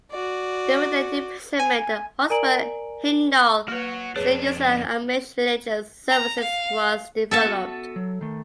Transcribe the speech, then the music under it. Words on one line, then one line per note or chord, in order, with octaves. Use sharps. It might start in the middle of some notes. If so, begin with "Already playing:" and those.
During their imprisonment, the "Ausbund" hymnal, still used in Amish religious services, was developed.
F#4 D5
G#5
A#4 D5 G#5 A#5 D7 F#7
A#3 F#4 B4 C#5
F2 D4 G#4 B4 C#5
A#5
F5
A#3 A4 B4 E5 F#5 A5
B3 F#4
F#3
D#3 A3